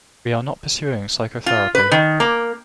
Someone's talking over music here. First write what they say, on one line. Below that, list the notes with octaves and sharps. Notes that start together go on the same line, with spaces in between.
We are not pursuing psychotherapy.
F4
B4
D#3
A#3